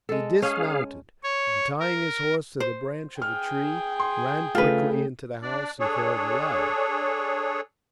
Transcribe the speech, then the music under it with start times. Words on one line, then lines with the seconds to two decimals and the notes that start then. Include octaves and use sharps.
He dismounted, and, tying his horse to the branch of a tree, ran quickly into the house and called aloud.
0.09 G#3 A4
0.42 C#4 G#4 F5
1.23 C#5
1.80 A#4
2.60 C5
3.22 G#4 G5 F6
4.00 C6
4.55 C#3 A3 F4 B4
5.42 D4 D5
5.80 D4 G#4 A4 C#5